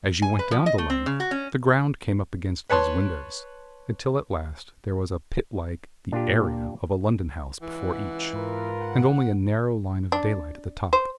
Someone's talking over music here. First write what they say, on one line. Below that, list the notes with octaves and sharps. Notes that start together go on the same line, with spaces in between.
As you went down the length, the ground came up against these windows, until at last there was a pit like the "area" of a London house before each, and only a narrow line of daylight at the top.
G#5
B4
F3
D#5
A3
C4
C#3
F#4
C#4
B4 C#5 A5 C6
A#2 D4 F4 G4
C#2 E3 F#5
G#2 F4 A#4 B4
F#5
D4
C5